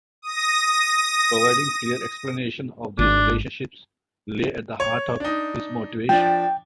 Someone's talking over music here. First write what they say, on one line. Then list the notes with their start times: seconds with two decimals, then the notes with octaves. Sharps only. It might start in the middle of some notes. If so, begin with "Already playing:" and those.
Providing clear explanation of these relationships lay at the heart of his motivation.
0.22 D#6 A#6
2.99 G#1 D4
4.80 C#5
5.20 D4 D#4
6.09 F3 D4 G5